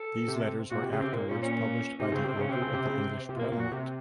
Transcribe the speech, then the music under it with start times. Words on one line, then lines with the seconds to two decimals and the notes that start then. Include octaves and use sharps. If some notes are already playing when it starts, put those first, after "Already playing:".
These letters were afterwards published by the order of the English Parliament.
Already playing: A4
0.28 C3
0.71 A#2 F#4
0.82 C3
0.93 C#3
1.00 C3 C4
1.12 A#2 A#3
1.29 A#2 C#4
1.43 C#4
1.99 C3 D#4
2.12 C#3 C4
2.24 C3 C4
2.37 C#3 C#4
2.49 C3 C4
2.62 C#3
2.73 C3
2.86 C#3
2.98 C3
3.29 C3
3.37 A#2 A#3
3.49 A#2 A#3
3.60 F#4
3.72 C3